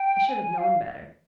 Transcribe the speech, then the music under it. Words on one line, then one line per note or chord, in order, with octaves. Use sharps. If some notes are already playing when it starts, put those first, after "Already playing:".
I should have known better.
Already playing: G5
G#5
F5